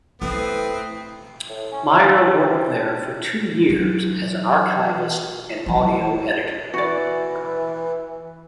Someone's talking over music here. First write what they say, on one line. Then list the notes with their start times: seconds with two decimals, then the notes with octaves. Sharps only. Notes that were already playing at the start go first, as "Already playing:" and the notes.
Mayer worked there for two years as an archivist and audio editor.
0.22 A3 C4 E4 B4 D#6
1.49 A2
1.72 C#4
1.99 F4
2.18 F#3
2.46 C3
2.71 D4
3.69 E3 F#3
5.66 E3 F#3
6.74 E3 F#4 D5